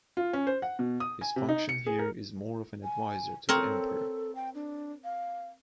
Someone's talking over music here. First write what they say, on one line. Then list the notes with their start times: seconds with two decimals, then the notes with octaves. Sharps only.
His function here is more of an advisor to the Emperor.
0.17 F4
0.33 C#4
0.47 C5
0.62 F#5
0.79 B2
1.00 D#6
1.21 G#5
1.36 C3
1.49 D#4
1.69 C#7
1.86 G#4
1.99 A#4
2.84 G#5
3.49 C4 A4 A#4 C#5
4.35 G5
4.55 D4
5.04 F5